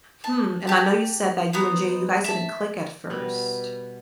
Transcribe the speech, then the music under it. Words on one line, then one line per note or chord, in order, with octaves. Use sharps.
Hmm, and I know you said that you and Jade, you guys didn't click at first.
A5
G4 A5
B3 D#4 C5
E5 A5
B2 G3 A#4 B5